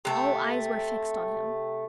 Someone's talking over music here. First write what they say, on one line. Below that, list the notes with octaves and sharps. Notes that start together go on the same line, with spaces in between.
All eyes were fixed on him.
C3 A3